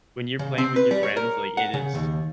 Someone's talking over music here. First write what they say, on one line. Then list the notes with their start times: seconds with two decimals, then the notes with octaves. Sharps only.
when you're playing with your friends, like, it is
0.39 C#3
0.58 C4
0.76 B4
0.91 G3
1.03 C#5
1.17 A#4
1.57 F#5
1.73 C#3
1.95 D#2